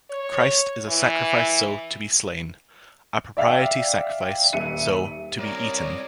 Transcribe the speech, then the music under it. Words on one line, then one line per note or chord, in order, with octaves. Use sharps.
Christ is a sacrifice-so, to be slain; a propitiatory sacrifice-so, to be eaten.
C#5
E3
D5 E5 F5 G5
D#1 E5 C#7 D#7
C2 A#4 C#5 D5